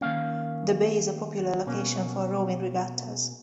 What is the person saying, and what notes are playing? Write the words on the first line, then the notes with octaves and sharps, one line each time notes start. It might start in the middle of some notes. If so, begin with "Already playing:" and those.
The bay is a popular location for rowing regattas.
D#3 A#3 C#4 F5
B2 A#3 C#4